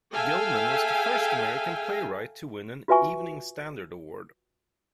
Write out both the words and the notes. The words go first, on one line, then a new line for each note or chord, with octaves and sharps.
Gilman was the first American playwright to win an "Evening Standard" Award.
G#4 A4 E5 F5 G5 G#5
F4 F#4 B4 E5 G#5 C#6